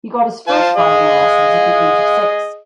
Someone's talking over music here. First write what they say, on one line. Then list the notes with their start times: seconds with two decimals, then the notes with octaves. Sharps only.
He got his first violin lessons at the age of six.
0.48 F4 C5 F5 A5
0.76 G#4 D#5